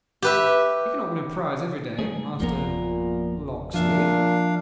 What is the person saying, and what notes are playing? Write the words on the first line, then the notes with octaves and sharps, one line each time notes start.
"You cannot win a prize every day. Master--Locksley."
G4 B4 E5
G#2 A3 G#4
G#1 F2 A#2 F3 A#3 B3 A#4
A#2 F3 D4 E5 F5